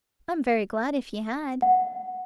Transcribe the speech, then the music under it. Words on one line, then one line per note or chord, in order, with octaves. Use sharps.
I am very glad if you had.'
F#5